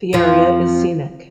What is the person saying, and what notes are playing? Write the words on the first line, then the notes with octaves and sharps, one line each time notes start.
The area is scenic.
F2 F3